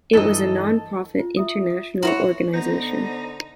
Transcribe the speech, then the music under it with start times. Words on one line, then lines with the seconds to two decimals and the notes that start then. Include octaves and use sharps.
It was a non-profit international organization.
0.13 G2 E3 D#4 A4 D#5
1.19 F4
1.37 F4 E5 D#6
2.03 E4 F#4 A#4 C#5 A#5 C6
2.54 D3 B3 D#4 C5 A#6